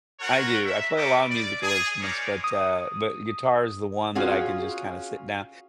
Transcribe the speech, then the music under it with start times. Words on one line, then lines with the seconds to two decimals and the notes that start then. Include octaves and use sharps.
I do, I play a lot of musical instruments, but, uh but guitar is the one that I can just kinda sit down
0.20 F4 F#4 A#4 C#5 F#5
0.65 E5
0.96 G3 B3 B4 D#5 C#6 D6
1.29 D5
1.62 G#4
2.00 G#3 A#3 C#4 D#4 C#5 D5
2.44 D#6
4.15 C#4 F4 F#4 G#4